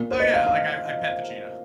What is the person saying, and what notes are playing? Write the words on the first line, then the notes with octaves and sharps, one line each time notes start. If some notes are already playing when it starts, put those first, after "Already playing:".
Oh yeah, like I I pet the cheetah.
Already playing: A#2 A#3
C5
D#5
F5
F5